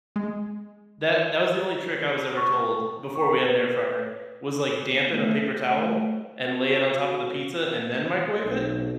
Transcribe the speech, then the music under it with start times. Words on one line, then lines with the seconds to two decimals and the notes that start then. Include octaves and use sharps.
That that was the only trick I was ever told before we had an air fryer, was, like, dampen a paper towel, and lay it on top of the pizza, and then microwave it,
0.16 G#3
2.37 C#6
3.16 C#6
3.44 B4
4.93 B3
5.12 A3
6.46 F#4
8.44 B1